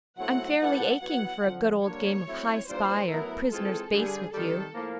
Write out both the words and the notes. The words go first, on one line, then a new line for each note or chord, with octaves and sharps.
I'm fairly aching for a good old game of hi spy or prisoner's base with you.
B2 F#3 A3 C4 E4 F#5
G3 B3 E4 A4 F#5
F#3 B3 E4 F#5
F2 D3 F3
D3 G3 A#3 C#5
F#3 A3 C4 E4
E3 G3 A#3 D4 F4 C5
A2 F#3 B3 E4 A#4
E3 G#3 C4 F4 G#4 A4
G2 D3 G3 G#4
C3 D#3 G3 A4
A2 F3 A#3